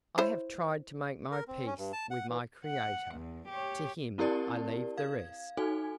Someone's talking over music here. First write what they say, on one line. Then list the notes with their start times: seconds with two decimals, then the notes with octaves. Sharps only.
I have tried to make my peace with my Creator; to Him I leave the rest.
0.18 E4 C5 C#5
1.31 A#4
1.48 C4
1.66 C#4
1.78 G2
1.93 A5
2.11 F#5
2.29 E3
2.65 F#5
3.16 E2
3.49 G4 C#5
4.18 C4 E4 G4 A#4 D5 A5
4.97 F5 G#6
5.57 D#4 F#4 A4 G#5